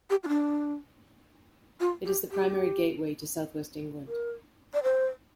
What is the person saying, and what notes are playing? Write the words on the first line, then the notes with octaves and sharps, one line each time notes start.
It is the primary gateway to South West England.
G4
F4
D4
F4
G4
G4
A#4
D5
C5